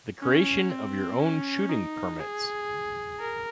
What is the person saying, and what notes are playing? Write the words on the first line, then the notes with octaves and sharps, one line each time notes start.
The creation of your own shooting permits.
C#4
C4
C#4
D#4
G#4
A#4